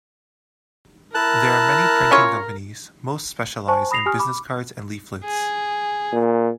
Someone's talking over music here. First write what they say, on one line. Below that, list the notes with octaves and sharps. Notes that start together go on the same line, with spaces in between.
There are many printing companies, most specialize in business cards and leaflets.
E4 A#4 A5 F#6
C#4 F4 C#5
C5 G#5 A5 C#6
B5 D#6 A#6 C7 F7
G4 G#5 D#6 F6
B5 D6
G#4
A#2